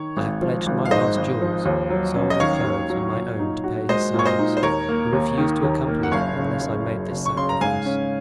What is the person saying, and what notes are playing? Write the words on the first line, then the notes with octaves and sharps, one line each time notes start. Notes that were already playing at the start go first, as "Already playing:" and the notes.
I have pledged my last jewels, sold your clothes and my own to pay his servants, who refused to accompany him unless I made this sacrifice.
Already playing: D#3 C#5
G#1
F3
G#1
F5
G#2 C5 D#5
G#1
F3
D#2
F#3
C#4
D#5
D#3 C#5 F5
D#2
F#3
A#2
D#4
F#4
G#3 C5 D#5
A#2 C#5
C5 D#5
D#4
C5
D#2 A#4 C#5
A#3
D#2
D#3
D#2
A#3
F#5
F#1 C#5 F5
C#3
F#1
F#2
F#1
C#6
C#3 C6
A#5
G#2 F5 G#5
C#4